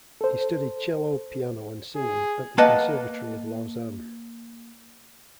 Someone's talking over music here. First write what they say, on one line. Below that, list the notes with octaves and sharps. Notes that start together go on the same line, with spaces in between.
He studied cello, piano and singing at the Conservatory of Lausanne.
A4 C5
G#4
A#3 B4 D#5 F#5 A5